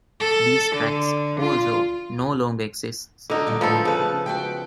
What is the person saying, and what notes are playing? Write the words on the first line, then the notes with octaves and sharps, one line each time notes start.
These tracks, also, no longer exist.
A4
D3
F4
D3 D#4 F4 F#4
A#2 G3
A2 F3 B3 A4
C#3 C#4 B4
F#4 B4 G5